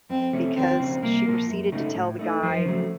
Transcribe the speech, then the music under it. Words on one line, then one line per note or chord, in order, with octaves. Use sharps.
because she proceeded to tell the guy,
F2 C4
C3 F3 A3 C#4
D#2 C4
C#3 F3 C4
C2 A#3
A#2 F3 A#3
F#2
C#3 A3 D#4
A2
A3 D#4
F#2 F3
C#3 F#3 A3